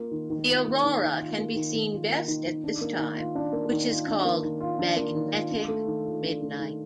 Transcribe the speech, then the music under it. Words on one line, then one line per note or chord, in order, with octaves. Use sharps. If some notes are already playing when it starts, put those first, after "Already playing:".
The aurora can be seen best at this time, which is called magnetic midnight.
Already playing: A#3 F4
D#3
D#3
F4
A#3
D#3
D#3
F4
A#3
D#3
D#3
F4
A#3
D#3
D#3
D4
A#3
D#3
F4
D4
A#3
D#3
F4
D4
A#3
D#3
F4
D4
A#3
D#3
F4
D4
A3
D#3
F4
D4
A3
D#3